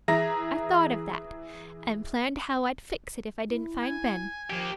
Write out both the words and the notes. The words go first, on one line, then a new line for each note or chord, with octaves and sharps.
I thought of that, and planned how I'd fix it if I didn't find Ben.
E3 G#4 E5 A#5 A#6
E4
G#5
F3 A#3 G4